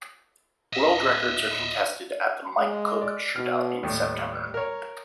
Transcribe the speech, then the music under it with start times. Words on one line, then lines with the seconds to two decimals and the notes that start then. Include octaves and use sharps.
World records are contested at the Mike Cook ShootOut in September.
0.73 D#5 E5
2.59 G#3
3.01 D5
3.36 B2 F6
3.83 D#2 A2 G3
4.54 A#4 C#5